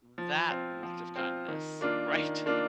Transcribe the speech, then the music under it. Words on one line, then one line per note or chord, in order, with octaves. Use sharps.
That act of kindness. Right?
F3
C4 F4
F3
C4 F4
D#3
A#3 D4 F4
D#3
A#3 D4 F4